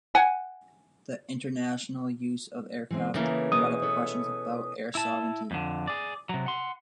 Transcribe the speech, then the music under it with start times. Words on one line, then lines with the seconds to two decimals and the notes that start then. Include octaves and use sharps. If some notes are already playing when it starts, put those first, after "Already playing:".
The international use of aircraft brought up questions about air sovereignty.
0.15 F#5 G#5
2.90 E3 G#3 C4
3.14 C#3 E3 A3 A#3 A#4
3.52 B2 A#3 C#4 D#6
3.82 A4 B4 C#5
4.95 E4 A5
5.51 F2 D3
5.87 G#4 D5
6.29 C3 F#3
6.46 F#5 C6